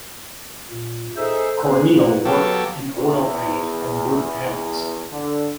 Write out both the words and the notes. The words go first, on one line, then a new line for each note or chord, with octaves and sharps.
Corneille worked in oil paint on wood panels.
A#2
D#4 G#4 A4 C5 E5
G#4 B4
A2 C3 A#3
F#3 B3 G4 A4 C#5 F5
E2
D3